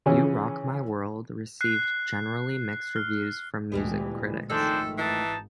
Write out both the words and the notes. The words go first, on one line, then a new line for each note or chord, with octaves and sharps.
"You Rock My World" received generally mixed reviews from music critics.
C#3 E3 F3 C#4
F#6 C7
F6
D2 A#2 E3 G3 G#3 B3
G#1 D#3 F3 G#3 A3 D4 A4 C5
E3 D#4 A5